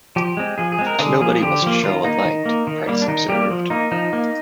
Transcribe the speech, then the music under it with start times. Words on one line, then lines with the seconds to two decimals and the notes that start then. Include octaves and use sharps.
"Nobody must show a light," Price observed.
0.16 F3 G4
0.37 G#3 C4
0.58 F3 G#4
0.72 G#4
0.79 G#3 C4
0.87 A#4
0.99 D3 G#4
1.21 F3 A#3 G#4
1.42 D3 G4
1.62 F3 A#3
1.83 D#3 F4
2.04 A#3 D#4
2.25 D#3
2.46 A#3
2.67 D#3
2.87 G3 A#3
3.02 D4
3.08 D#3 D#4
3.28 G3 A#3 G4
3.51 F3
3.70 A#3 D#4
3.92 F3 D#4
4.13 A#3